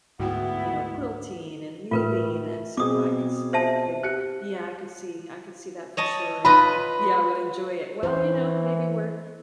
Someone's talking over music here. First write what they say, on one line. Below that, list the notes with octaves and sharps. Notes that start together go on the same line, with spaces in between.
you know, quilting and weaving, and so I could s I could yeah, I could see I could see that for sure, and yeah, I would enjoy it, well, you know, maybe we're
D2 G#2 A3 B3 E4 F#4 F#5 G5
A2 F4 A#4 B4
B2 C4 G#4 D6 D#6
C5 E5 A5
G4 F#6 C#7
C#5 D#5 A5
F4 B4 D#5 B5
E3 C5